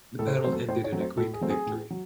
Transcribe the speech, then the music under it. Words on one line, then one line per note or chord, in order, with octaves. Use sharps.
The battle ended in a Greek victory.
A2 A4
C5
A4
F#3 A3 C4 C5
A4
A2 C5
C#5
F#3 A3 C4
C5
A2 A4
G#4
F#3 A3 C4
G#4
A2
F#3